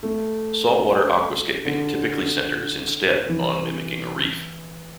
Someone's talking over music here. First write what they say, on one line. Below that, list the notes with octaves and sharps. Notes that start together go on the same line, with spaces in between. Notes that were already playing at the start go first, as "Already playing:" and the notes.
Saltwater aquascaping typically centers, instead, on mimicking a reef.
A3
D3
E3